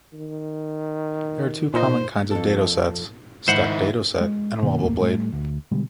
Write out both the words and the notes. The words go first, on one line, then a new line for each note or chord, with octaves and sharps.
There are two common kinds of dado sets, stacked dado set and wobble blade.
D#3
A#2 D#4 C5
F2 A4
G#2 D#3 E4 C5 E5 F#5
G#3
B2 D#3 A#3
A1 D#2 A3 A#3
A2 G3 A3
D2
B2 D3 G3 G#3